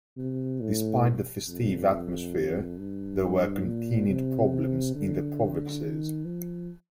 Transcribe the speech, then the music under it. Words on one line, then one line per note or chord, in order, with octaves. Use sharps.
Despite the festive atmosphere, there were continued problems in the provinces.
C3
A2
F2
G2
A#2
C3
D3
D#3
F3